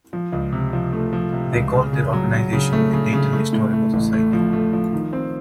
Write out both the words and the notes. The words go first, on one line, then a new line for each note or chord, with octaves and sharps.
They called their organization the Dayton Historical Society.
F3
C#2
C3
F3
A3
F3
C3
C#2
C#3
C#3
F#3
F#3
C#3
A3
C#3
C#3
A3
A2
A3
A1
A3
F3
A3
F3
D#3
C4